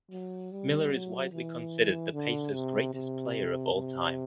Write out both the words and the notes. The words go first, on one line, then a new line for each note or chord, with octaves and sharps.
Miller is widely considered the Pacers' greatest player of all time.
F#3
G3
F#3
E3
D3
C3
C3
C3